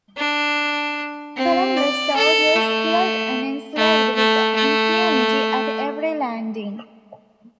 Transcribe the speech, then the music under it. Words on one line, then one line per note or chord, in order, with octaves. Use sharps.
Columbus's soldiers killed and enslaved with impunity at every landing.
D4
C4
D5
A4
A3
A3
A3
A3